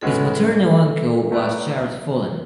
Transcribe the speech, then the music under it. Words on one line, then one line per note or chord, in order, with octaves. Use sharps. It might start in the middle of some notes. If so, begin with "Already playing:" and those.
His maternal uncle was Charles Follen.
A2 G#3 C#4 F#4 A4 B4
F#3 A3 E4 B4 D5